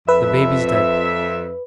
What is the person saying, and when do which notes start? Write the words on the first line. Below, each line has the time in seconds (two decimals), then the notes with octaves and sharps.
The baby's dead.'
0.08 F2 B4 E5